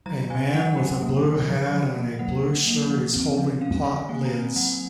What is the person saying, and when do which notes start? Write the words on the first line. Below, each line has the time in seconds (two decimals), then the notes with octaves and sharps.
A man with a blue hat and a blue shirt is holding pot lids.
0.06 F#3 A#5
0.30 F#3 G#5
0.53 F#3 F#5
0.77 C#4
1.02 A#3
1.25 D#3
1.48 F3
1.73 F3
1.96 A#3
2.19 F#3 F#5
2.43 F#3
2.67 A#3
2.90 F3
3.13 C4
3.37 F3
3.61 C#4 F5
3.85 D#3 F5
4.09 A#3 G#5
4.25 A#5
4.32 C4 G#5
4.56 F#3 F#5